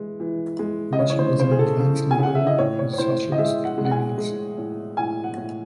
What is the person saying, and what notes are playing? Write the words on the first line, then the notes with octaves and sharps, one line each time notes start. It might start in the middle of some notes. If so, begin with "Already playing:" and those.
Ritchie was an advanced liberal with socialist leanings.
Already playing: E3 G#3
E3
G#3
D#5
C#3 C#5
C#5
C5
C#3 C5
G#4
A4
C#3
G#5
C#3 F#5
E5
D#5
A2 C#5
C#5
C#5
A2 C5
D#5
G#3 E5
F#5
G#3
F#5
G#5
G#3
A2
A2 G#5
F#5
A2